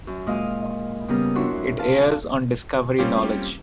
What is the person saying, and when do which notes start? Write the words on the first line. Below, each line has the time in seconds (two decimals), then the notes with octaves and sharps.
It airs on Discovery Knowledge.
0.07 F#2
0.27 A#2 G#3 D#5 F5
1.08 C#3 G3 B3 G4 A#4 D#6
1.35 F2 D4 E4 F#4 C#5 C6
1.78 F5 A5
2.99 G3 A#3 C4 C#4 F4 G4